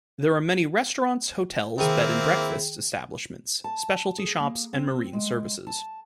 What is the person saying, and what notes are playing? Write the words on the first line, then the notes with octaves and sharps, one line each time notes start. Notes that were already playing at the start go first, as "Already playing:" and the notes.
There are many restaurants, hotels, bed and breakfasts establishments, specialty shops, and marine services.
D#3 A#3 C4 E4 G#4 G5
A5
G#4
A#3
C4
G#3
A5